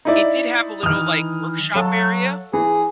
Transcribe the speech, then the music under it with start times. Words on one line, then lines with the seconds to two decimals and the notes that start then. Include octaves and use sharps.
It did have a little, like, workshop area
0.05 D#4 E4 D5
0.83 D#3 E3 D#6 F6
1.75 F#3 A4 F5 A5
2.54 E3 G#4